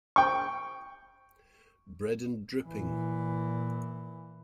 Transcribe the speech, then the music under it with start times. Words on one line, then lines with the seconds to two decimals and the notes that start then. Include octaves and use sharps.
Bread and dripping.
0.16 G5 C#6
2.66 A#2 E3